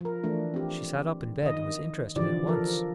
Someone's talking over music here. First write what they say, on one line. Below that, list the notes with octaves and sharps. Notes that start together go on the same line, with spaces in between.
She sat up in bed, and was interested at once.
F3 A#4
E3 A3 D4
C4 G4
D#3 D#5
D3 E3 F3 G4 D5
F3 A4 A#4